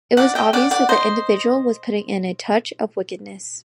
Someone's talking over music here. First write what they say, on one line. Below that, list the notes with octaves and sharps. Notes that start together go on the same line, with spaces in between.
It was obvious that the individual was putting in a touch of wickedness...
D5 F#5
D#5 G5
D5 F#5
D5 F#5
C5 D#5